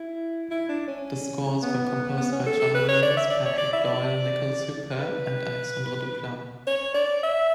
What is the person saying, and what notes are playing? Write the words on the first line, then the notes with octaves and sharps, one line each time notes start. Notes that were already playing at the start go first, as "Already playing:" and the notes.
The scores were composed by John Williams, Patrick Doyle, Nicholas Hooper, and Alexandre Desplat.
Already playing: E4
E4
D4
C#4
B3
B3
C#4
A4
A4
B4
C#5
D5
E5
D5
C#5
D5
E5
D5
B4
C#5
D5
E5